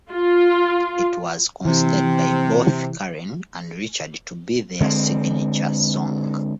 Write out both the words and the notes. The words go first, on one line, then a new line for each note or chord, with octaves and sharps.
It was considered by both Karen and Richard to be their signature song.
F4
C3 E3
D3 G#3 A#3 C4